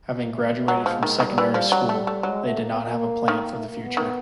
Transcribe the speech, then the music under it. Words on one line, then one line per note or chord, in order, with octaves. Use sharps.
Having graduated from secondary school, they did not have a plan for the future.
A#3
A3
G#3
A3
F#3 G#3
F3
D#3
D#3 G3
E3
F3
F#3
A3
A3
F#3 G#3
A3
A#3
B3
A#3
D#3
A3
A#3
B3
D#3